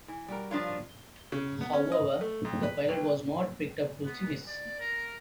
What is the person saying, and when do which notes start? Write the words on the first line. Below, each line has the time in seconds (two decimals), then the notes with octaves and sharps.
However, the pilot was not picked up to series.
0.08 E3
0.28 G3 F#4 A#4
0.51 F3 D4 F4 C#5
1.32 C#3
1.61 B3
1.73 C#4
1.92 D#5
2.21 A3
2.45 F2
2.63 B4
2.89 C2
4.03 B3
4.47 D5
4.78 A#4